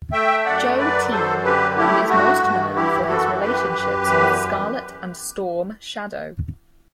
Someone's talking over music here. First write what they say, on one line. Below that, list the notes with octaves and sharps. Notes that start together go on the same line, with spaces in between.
Joe Team, and is most known for his relationships with Scarlett and Storm Shadow.
A3 E5 G5
F#2 D5 F#5
F#3 B4 D5
F#2 A4 C5
D3 G4 B4
A3 E4 G4
G2 F#4
G2
E3 E4 G4
F#2 F#4 A4
F#2 G4 B4
F#2
E2